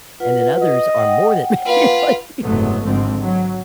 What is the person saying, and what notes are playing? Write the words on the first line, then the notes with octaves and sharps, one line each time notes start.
and then others are more than ready to leave,
F4 B4 F#5
D#5
F#5 G5
A#3 F4 B4
F#1 G#2 C3 F#3 A3 B3
G#1 G#2 D3 F3 C4
F#3